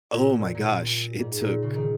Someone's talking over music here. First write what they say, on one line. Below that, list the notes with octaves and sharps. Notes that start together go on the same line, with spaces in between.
Oh my gosh. It took
A#2
A#2
A#2
G#2
A#2
C#3
D#3